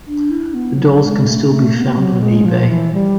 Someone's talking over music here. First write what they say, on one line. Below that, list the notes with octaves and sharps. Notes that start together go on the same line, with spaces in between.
The dolls can still be found on eBay.
D4
E4
B3
F#3
G#3
A3
A3
A#3
B3
A#3
F#3
G#3
F3
E3
G3